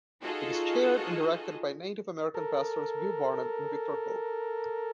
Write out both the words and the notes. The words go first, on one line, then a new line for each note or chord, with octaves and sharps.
It is chaired and directed by Native American pastors Bill Barnett and Victor Cope.
D#4 F4 F#4 G#4 A4 D#5
A4 A#4